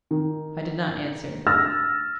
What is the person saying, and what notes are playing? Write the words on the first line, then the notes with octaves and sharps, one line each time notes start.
I did not answer.
D#3
E6 F6 A6 A#6